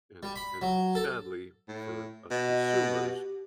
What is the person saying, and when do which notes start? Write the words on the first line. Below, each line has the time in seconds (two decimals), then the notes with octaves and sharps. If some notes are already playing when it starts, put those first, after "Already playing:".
And and, sadly, for us consumers,
0.23 G3
0.36 B5
0.62 F#3
0.95 A4
1.68 A2
2.31 B2 D#5
2.93 G4